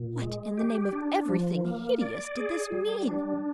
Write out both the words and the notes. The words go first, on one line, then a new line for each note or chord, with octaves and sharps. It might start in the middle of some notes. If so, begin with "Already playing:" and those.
What, in the name of everything hideous, did this mean?
Already playing: A#2
G#3
G4
D4
F3
A#3
D5
G#4
G3
D4